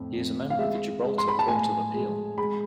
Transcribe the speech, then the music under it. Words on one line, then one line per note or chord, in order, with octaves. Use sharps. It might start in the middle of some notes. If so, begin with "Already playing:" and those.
He is a member of the Gibraltar Court of Appeal.
Already playing: F2 A2
F2
F5
G#3 E5
G#3
C6
B5
A5
A2 G#5
G#3
G#3 B5